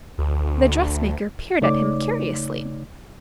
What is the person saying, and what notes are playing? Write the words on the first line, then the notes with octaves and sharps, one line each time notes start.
The dressmaker peered at him curiously.
D2
C#3 A3 D#4 C#5 D5 D6